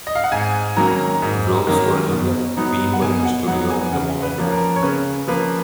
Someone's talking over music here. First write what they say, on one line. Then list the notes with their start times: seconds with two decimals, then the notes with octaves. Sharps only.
Groves told him that Queen were in the studio at the moment.
0.07 D#5
0.15 F5
0.24 F#5
0.32 G#2 G#5
0.77 D#3 F#3 A#3 C#4 A#5
0.91 A#5
1.22 G#2
1.67 D#3 F#3 A#3 C#4
2.12 B2
2.57 F#3 B3 D#4
2.93 F#5
3.02 B2 G#5
3.25 F#5
3.48 F#3 B3 D#4 F#5
3.70 G#5
3.92 C#3 F#5
4.22 B4
4.38 F3 A#3 C#4
4.52 A#4
4.76 C#5
4.83 C#3 B4
5.27 F3 A#3 C#4 B4